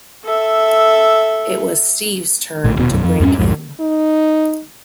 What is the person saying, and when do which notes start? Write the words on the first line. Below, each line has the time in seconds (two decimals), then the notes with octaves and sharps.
It was Steve's turn to break in.
0.25 A4 E5
2.64 A#1 A2
2.77 D#1 B2
2.91 B1 F#2
3.04 F2
3.20 E2 G2 C4 C#4
3.39 C2 F2 G#2
3.80 D#4